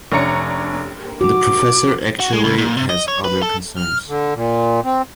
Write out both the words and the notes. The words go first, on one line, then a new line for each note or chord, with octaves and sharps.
The professor actually has other concerns.
F1 C#4 D4 C#5 A#5 C#7
F#4 D6
F#4
G#3
C#2
A#2
C3
D#5
C#5
B4
A4
F6
D3
A#2
C4